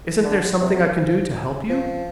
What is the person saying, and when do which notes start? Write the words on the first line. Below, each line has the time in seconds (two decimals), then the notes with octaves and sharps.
"Isn't there something I can do to help you?"
0.24 D3
0.61 C3
0.96 F3
1.69 F3